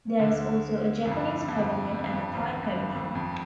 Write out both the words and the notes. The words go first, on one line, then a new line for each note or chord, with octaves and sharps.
There is also a Japanese Pavilion and a Thai Pavilion.
D2 D3
F2
G2
G2
F2
G2
F2
G2
G#1 G#2
G2
F2
F2